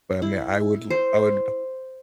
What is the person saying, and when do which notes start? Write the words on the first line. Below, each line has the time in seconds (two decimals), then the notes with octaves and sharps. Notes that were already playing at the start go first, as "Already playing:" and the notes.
But, I mean, I would l I would
0.22 E4
0.90 C5